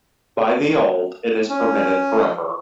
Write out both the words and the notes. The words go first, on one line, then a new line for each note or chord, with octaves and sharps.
By the old it is permitted forever.
C#4